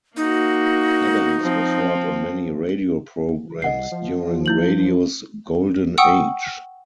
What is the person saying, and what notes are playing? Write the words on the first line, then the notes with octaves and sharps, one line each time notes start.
Adams was heard on many radio programs during Radio's Golden Age.
A#3 D#4 F#4
F3 C4
C2 D#5 F#5 C7
F3
E4 G6 F#7
F#5 G5 C#6 D#6 E6